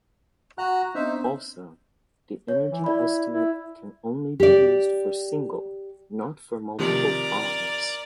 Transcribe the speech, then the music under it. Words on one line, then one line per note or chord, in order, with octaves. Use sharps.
Also, the energy estimate can be only used for single, not for multiple bonds.
F#4 F#5 A#5 F#6
B3 C4 D4 D#4 C5 E5
C#5
E3
E4 D5 B5
E4
G4 D5
C3 D#3 F3 A#4 D5